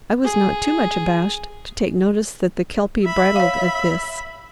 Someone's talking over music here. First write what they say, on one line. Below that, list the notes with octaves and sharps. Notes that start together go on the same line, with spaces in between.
I was not too much abashed to take notice that the Kelpie bridled at this.
G#4
E5 B5
C#5 F5